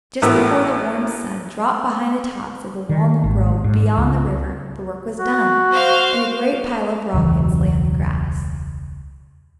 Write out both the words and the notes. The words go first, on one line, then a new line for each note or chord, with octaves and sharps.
Just before the warm sun dropped behind the tops of the walnut-grove beyond the river the work was done, and a great pile of rockets lay on the grass.
A1 A2 B3 A#4 E6
D#3
G#1
G#2
C#2
F#4
C5 F5
E1 C#2 E3 F#3